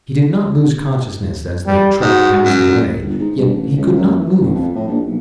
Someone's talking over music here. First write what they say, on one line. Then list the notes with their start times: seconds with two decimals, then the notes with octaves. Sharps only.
He did not lose consciousness as the truck bounced away, yet he could not move.
1.66 G3
2.01 G#2 F#4
2.45 F#2
3.02 G1
3.19 G#2
3.37 G2
3.53 A1
3.76 C#2
3.96 F#2
4.19 E3
4.41 A1
4.55 F2
4.75 A2
4.87 A#1
5.06 B1